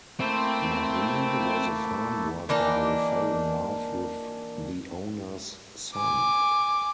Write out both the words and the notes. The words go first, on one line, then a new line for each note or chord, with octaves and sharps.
Mari was a farm worker who fell in love with the owner's son.
A3 A#3 C4 E4 C5
E3 A#3 D4 D#4
G#5 D6